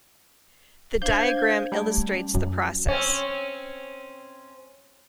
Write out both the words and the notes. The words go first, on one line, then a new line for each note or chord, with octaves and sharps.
The diagram illustrates the process.
D4 C5 F5 G6 G#6
G3 A3
C#4
F#2
C4 C#4